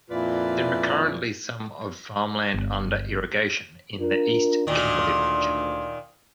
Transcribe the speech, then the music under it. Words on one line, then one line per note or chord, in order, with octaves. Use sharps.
There are currently some of farmland under irrigation in the East Kimberly region.
F2 A#2 E4 F4 B4 D5
G1
D4 F4 A#4
D2 A#2 D#3